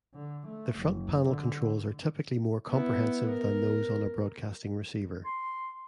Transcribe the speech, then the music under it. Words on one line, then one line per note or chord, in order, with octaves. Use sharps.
The front panel controls are typically more comprehensive than those on a broadcasting receiver.
D3
A3
F#1
D3
B3 E4
A#4
C6